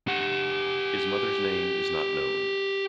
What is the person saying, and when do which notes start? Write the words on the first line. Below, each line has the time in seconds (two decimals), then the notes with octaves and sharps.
His mother's name is not known.
0.08 G4 F#5